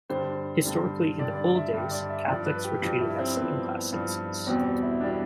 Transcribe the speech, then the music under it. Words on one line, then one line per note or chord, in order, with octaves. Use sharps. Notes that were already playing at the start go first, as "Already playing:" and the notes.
Historically in the old days, Catholics were treated as second class citizens.
G2 D3 G3 C5
G2 D3 G3
G2 D3 G3 D5
D5
E5
G2 D3 G3
D5
E5
G2 F3 D5
B4
G4
G2 F3 G4
E4
C4
G2 F3 B3
G2 F3
E2 B2 G3 C4
E4
B2 G3 D4